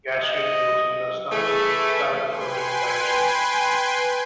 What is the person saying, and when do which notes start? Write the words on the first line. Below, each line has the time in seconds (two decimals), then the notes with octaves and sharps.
Gastric juice in the stomach starts protein digestion.
0.23 D#5
1.32 E3 A3 G#4
2.24 B4 G5 G#5 C6